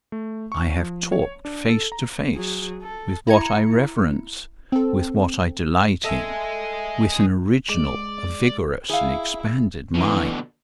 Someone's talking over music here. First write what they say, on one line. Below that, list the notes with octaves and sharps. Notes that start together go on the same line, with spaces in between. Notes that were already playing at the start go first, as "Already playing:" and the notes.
I have talked, face to face, with what I reverence, with what I delight in,--with an original, a vigorous, an expanded mind.
A3
C#6
F3
C#5
D4
A4
A#5
F#3 G#4
A4
E4 A#5 G#6 C#7
C4 A4
A4 D#5 E5 G#5
G#3 D5
E4 G#4 F5
B2 D3 E3